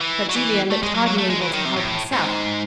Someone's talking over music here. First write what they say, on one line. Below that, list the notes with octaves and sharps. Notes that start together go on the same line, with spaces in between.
But Julia looked hardly able to help herself.
E3
F#3
E3
A3
G#3
F#3
F#3
A3
G#3
E3
D#3
C3
A2
G#2